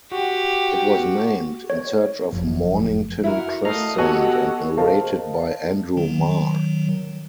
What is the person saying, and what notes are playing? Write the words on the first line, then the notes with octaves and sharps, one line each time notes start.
It was named "In Search of Mornington Crescent", and narrated by Andrew Marr.
F#4 G4
C#5
F#1 F2
E4 F#4 A#4
A3 D#5 F5 A#5
B3 F#4 G4 A4 D#5 G#5
A#4 C5 D#5 F5 A5
D#3 F#3